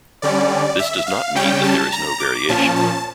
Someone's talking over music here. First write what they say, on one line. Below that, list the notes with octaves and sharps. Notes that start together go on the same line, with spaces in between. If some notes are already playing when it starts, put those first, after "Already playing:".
This does not mean that there is no variation.
D3 G3 C#4 D5
E5
F5
C#3 G3 C#4 G5
A5
A#5
D6
A#2 F3 C#4 A5
A5